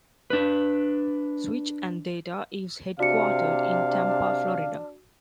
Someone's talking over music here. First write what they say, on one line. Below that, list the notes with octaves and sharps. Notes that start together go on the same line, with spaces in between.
Switch and Data is headquartered in Tampa, Florida.
D4 B4
C3 D4 F#4 F5 C#7